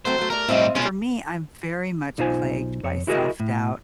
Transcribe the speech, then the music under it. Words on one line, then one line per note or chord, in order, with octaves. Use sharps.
for me, I'm very much plagued by self-doubt
F#3 A3 C4 C5
F#3 A3
A3 G4 A#4 D5
A2 G3 C4 F4 D#5 E5
B2 G#3 C#4 F4
B1 D#4 F4 C5 G#5
F2 C#5
E4 F#4 G#4 A#4 C5 D#5
A2